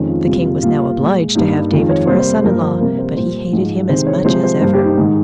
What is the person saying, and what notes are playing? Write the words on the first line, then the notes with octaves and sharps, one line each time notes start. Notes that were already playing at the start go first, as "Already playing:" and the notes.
The king was now obliged to have David for a son-in-law. But he hated him as much as ever.
Already playing: F2 D#3 G#3 C#4
F4
F2 C3 G3 A#3 F4
A#2 G3 A#3 F4
A#2 G#3
G2 G3 A#3 D#4
F2 D#3 G#3 F4
C#5
C3 G3 A#3 C5
C5
G2 F3 A#3 A#4
C5
C3 G3 A#3 A#4
C5
A#2 G3 A#3 C5
G#2 F3 G#3
C3 D#3 G#3 C5
C#5
C3 F3 G#3 C5
C5
G2 G3 A#3 C5
G4
D#4
G#2 D#3 G#3 D#4